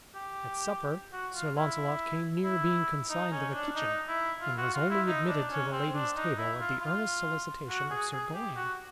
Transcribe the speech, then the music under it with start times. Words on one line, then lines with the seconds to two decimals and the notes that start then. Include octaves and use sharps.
At supper Sir Launcelot came near being consigned to the kitchen and was only admitted to the lady's table at the earnest solicitation of Sir Gawain.
0.15 G4
1.13 F#4
1.35 F4
1.57 E4
2.44 E4
3.10 D#4
3.32 C#4
3.53 D4
3.75 D#4
4.08 E4
4.41 F4
4.58 F#4
4.74 F4
4.90 E4
5.06 D#4
5.28 D4
5.50 C#4
5.72 C4
5.94 D4
6.16 D#4
6.38 E4
6.60 F4
6.81 F4
7.69 F#4
7.91 G#4
8.12 G#4
8.34 G4
8.56 F#4